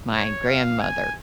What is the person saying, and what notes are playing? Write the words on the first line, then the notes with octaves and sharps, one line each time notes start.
my grandmother
C#5
F5
G#5